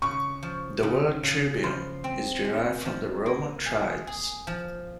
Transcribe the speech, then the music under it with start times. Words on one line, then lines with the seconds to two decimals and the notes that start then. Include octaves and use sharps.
The word "tribune" is derived from the Roman tribes.
0.02 C#3 C#6
0.43 F3
0.83 C#3
1.23 C#3
1.63 F3 C6
2.04 C4
2.45 G#3
2.85 F3
3.26 A#3
3.66 G#4
4.07 G#4
4.47 F3